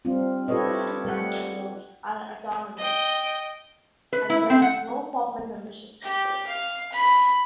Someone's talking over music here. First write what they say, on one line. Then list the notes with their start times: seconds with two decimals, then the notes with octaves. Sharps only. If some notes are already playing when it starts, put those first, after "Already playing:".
People and Planet groups are autonomous and there is no formal membership system.
0.05 G3 C4 D4 F4
0.48 F4 G4 A4 B4 C#5 D#5
1.05 G3 F#5
2.78 D#5 G5
4.13 B4
4.30 E4
4.50 C4
4.62 F#5
6.02 G4
6.47 F5
6.92 B5